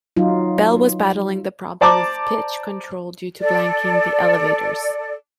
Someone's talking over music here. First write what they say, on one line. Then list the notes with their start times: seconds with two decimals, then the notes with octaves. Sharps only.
Bell was battling the problem of pitch control due to "blanking" the elevators.
0.17 F#3 D#4 F4
1.81 C5 D5 A5 A#5 D6
3.40 A4 D5